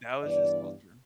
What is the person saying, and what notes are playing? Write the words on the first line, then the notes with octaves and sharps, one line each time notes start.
That was just culture.
G2 E3 B3 D5